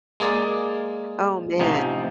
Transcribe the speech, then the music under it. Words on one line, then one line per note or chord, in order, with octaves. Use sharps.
oh man.
G#3 A#3 G#4 D5
A1 C3 F3 D#4